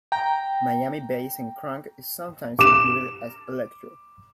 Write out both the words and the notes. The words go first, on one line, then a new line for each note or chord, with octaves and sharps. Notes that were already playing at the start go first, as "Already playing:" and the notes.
Miami bass and crunk is sometimes included as "electro".
G5 A#5
D6 E7